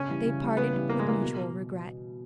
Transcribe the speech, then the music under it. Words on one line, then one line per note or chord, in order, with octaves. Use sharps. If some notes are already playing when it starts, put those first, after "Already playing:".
They parted with mutual regret.
Already playing: C#3 C#4
E3 G3
C#3
E3 G3
C#3 B3
E3 G3
C#3 A#3
G#3
E3 G3 A#3
B2